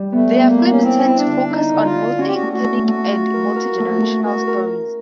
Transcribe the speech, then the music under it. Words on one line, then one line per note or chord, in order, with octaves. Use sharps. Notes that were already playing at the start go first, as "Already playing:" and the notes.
Their films tend to focus on multiethnic and multigenerational stories.
Already playing: G3
A3 B3
B3
A#3
E4
C#4
C4 E4
E4
D4
D3
D#4 E4
D3
F4
E4
C#4 F#4
G4
F#4
A3
F#4
A3
A3 F#4
F4
A#4
A#4
A3
A3
F#4 A#4
A#4